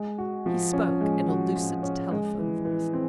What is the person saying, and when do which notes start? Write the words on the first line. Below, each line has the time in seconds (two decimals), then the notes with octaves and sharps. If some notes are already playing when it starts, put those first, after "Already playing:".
He spoke in a lucid telephone-voice.
Already playing: G#3
0.18 F#4
0.46 F3
0.73 C#4
1.01 G#3
1.28 F#4
1.56 F3
1.83 C#4
2.11 G#3
2.38 E3
2.65 E3
2.93 C4